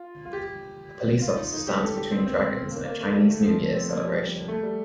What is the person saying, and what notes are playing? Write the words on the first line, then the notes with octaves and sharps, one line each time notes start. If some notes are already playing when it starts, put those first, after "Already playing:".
A police officer stands between dragons in a Chinese New Year celebration.
Already playing: F4
F4
G4
F4
D#4
D#4
G4
A4
G4
C4
C4
A#3
A#3
A3
G3
A3
F3
C4
A#3
F3
G3
A3
G3